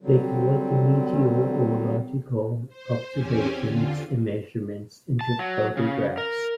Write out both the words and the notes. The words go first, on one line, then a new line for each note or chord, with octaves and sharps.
They collected meteorological observations and measurements and took photographs.
D3 F#3 G3 C4
C5
E2 C4 C#4 G4 G#5
D3 F4
A5
F#3
C#3
A#4